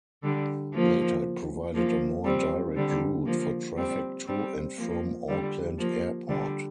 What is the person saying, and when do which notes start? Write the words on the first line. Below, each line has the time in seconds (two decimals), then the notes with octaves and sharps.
Later, it provided a more direct route for traffic to and from Auckland Airport.
0.23 D3 G3
0.74 F3 A#3
1.75 F3 A#3
2.25 G3 C4
2.76 D3 G3
3.26 F3 A#3
3.77 G3 C4
4.27 G3 C4
4.78 F3 A#3
5.28 D3 G3
5.78 F3 A#3
6.29 D3 G3